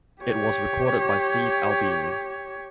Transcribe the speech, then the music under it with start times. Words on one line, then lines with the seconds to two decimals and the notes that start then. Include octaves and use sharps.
It was recorded by Steve Albini.
0.22 G4 C#5